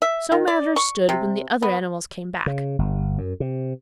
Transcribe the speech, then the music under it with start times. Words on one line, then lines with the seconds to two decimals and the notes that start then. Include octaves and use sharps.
So matters stood when the other animals came back.
0.02 E5
0.32 D#3
0.47 D5
0.76 C#6
1.09 C3
1.62 B3
2.46 C#3
2.79 G1
3.18 F#2
3.40 C3